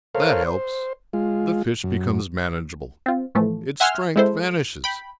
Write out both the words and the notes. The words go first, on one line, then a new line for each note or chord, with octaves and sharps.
That helps; the fish becomes manageable, its strength vanishes.
A4 A#4 C5 C#5 F5
C5
G#3 F4
F#2
C4 F4
A2 E3 F3 A3
E5 F#5 G#5 C6 E6 F6
G#3 C4 E4 A4 C5
G5 B5